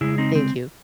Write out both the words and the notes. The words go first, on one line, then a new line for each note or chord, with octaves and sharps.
thank you.
C#3 G#3 E4 G#4
C4 D#4
C4